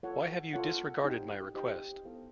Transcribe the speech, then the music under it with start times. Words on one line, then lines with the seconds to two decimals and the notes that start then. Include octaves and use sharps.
Why have you disregarded my request?
0.03 F4 A4 C#5 F#5
0.53 F4 A4 C#5 F#5
1.04 D#4 G4 C5 D#5 G5
1.54 D#4 G4 C5 D#5 G5
2.05 B3 E4 A4 C5 F5